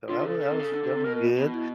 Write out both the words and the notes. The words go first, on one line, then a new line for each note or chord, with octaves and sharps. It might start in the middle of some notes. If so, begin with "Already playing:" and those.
so that wa that was that was good,
D3 F4
D3
C#3 A4
C#3
C3
C#3
D3
D3
C3
B2 A#4
A#4
B2
E4